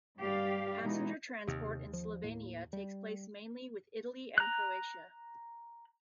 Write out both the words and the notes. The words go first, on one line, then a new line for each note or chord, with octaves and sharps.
Passenger transport in Slovenia takes place mainly with Italy and Croatia.
G2 G3 G4 D5 F5
B2 E3 G#3 D#4
D#2 C3
F3
A2 A#3
G3
A#5 F#6